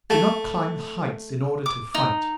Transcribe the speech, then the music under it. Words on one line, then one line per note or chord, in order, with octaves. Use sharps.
Do not climb heights in order to fight.
A3
D6
D#4